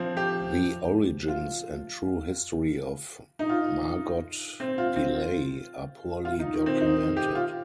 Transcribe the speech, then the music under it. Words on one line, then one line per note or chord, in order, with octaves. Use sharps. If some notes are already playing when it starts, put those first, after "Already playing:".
The origins and true history of Margot Delaye are poorly documented.
Already playing: F3 C4
G4
F4
D#4
F4
C4
F4
C4
F4
F4
D#4
D#3
C4
D#4
G4
F4